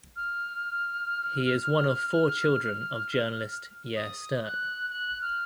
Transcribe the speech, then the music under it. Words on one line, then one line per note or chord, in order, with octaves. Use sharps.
He is one of four children of journalist Yair Stern.
F6
D#6
F#6
F#6
F6